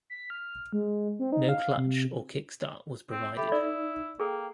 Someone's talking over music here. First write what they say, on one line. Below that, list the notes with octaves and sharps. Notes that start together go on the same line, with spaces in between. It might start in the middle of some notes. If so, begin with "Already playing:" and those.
No clutch or kick-start was provided.
B6
F6
G#3
C4
D#4
F5
C3
C4
G4 A4 E5 B5
D#4 E4 D5
A#3 G#4 A4 G5